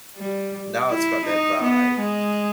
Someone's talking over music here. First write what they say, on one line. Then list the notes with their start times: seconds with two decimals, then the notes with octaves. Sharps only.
Now it's got that vibe.
0.16 G3
0.90 E4
1.26 D#4
1.63 B3
1.99 G#3